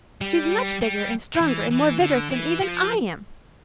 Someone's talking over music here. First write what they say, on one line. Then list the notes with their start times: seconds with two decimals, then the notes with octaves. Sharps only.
She's much bigger and stronger and more vigorous than even I am.
0.21 G3
0.81 G3
1.35 F3
1.41 E3
1.71 E3
2.00 D3
2.31 E3
2.61 F3